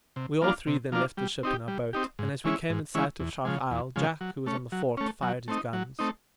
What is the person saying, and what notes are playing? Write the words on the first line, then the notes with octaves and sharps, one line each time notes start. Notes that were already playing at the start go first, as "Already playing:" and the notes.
We all three then left the ship in our boat, and as we came in sight of Shark Isle, Jack, who was on the fort, fired his guns.
C3
F3 A#3 D4 F4
C3
F3 A#3 D4 F4
G3
C4 D#4 G4
G3
C4 D#4 G4
G#2
E3 G#3 C#4 E4
G#2
E3 G#3 C#4 E4
E2
C#3 F3 G#3
E2
C#3 F3 G#3
F#3
A3 C#4
F#3
A3 C#4
F#3
A3 C4 D#4
F#3
A3 C4 D#4